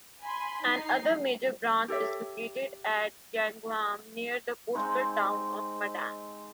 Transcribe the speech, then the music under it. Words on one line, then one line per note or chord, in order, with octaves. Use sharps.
Another major branch is located at Yagaum, near the coastal town of Madang.
G#5 B5 C6
D#4 C7
G4 A4 C#5 E5
G#3 C4 D#4 C#6